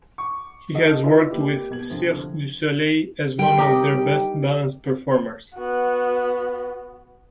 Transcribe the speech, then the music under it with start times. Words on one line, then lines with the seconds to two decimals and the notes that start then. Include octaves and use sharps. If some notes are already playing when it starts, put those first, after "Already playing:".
He has worked with Cirque du Soleil as one of their best balance performers.
0.18 C#6 D6
0.74 D#4 F#4 A4 A#4 D#5
1.03 E4 F4 B4 D5 D#5
1.31 A#3 G4
1.70 B2 G#6 F#7
1.90 C2 D3 F3
3.38 G3 D#4 G5
3.58 G4 A#4 D#5
5.55 B3 F#4